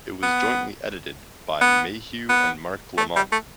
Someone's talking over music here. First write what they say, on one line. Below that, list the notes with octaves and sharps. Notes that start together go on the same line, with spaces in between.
It was jointly edited by Mayhew and Mark Lemon.
B3
B3
B3
A3
G3
A3